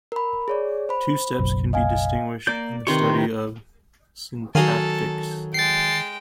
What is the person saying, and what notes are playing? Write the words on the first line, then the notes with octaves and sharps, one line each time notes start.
Two steps can be distinguished in the study of syntactics.
A#4 B5
G#4 C#5 D5
C5 B5
F#1 B1
D#5 F5 G#5
A#3 D5 G6
C3 D#3 B4 C6 C#6
D#3 F#3 G#4 A4 F5
G#3 G5 A6 C7